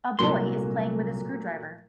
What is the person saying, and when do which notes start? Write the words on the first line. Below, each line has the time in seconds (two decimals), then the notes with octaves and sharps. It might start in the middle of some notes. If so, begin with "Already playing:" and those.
A boy is playing with a screwdriver.
0.19 C2 A#2 F#3 A3 C6